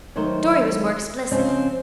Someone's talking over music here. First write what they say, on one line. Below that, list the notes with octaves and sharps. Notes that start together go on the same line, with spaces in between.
Dorry was more explicit.
D#3 F#3 A3 C5
C#3 F3 G#3 C4 C#4